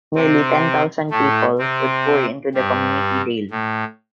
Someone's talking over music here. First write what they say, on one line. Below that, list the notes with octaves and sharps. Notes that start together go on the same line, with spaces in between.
Nearly ten thousand people would pour into the community daily.
C3 C4
A2 A3
C3 C4
G2 G3
A2